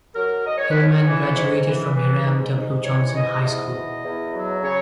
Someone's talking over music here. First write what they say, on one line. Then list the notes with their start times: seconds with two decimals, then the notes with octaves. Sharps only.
Hillman graduated from Hiram W. Johnson High School.
0.16 F#3 A#4
0.46 G#2 D#5
0.58 C#5
0.70 B4
0.75 G#2
0.81 C#5
1.06 E3
1.35 G#2
1.65 E3
1.95 E3
2.24 G#2
2.54 G#2
2.84 E3 C#5
3.14 G#2 D#5
3.44 E2 D#5
3.73 E2
4.03 E2
4.33 F#3
4.63 C#3 C#5